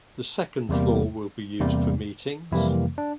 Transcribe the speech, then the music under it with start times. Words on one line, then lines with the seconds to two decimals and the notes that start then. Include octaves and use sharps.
The second floor will be used for meetings.
0.69 E2 C3 G3 A#3
1.60 E2 C3 G3 A#3
2.52 F2 C3 E3 G3 A#3 E4
2.98 D4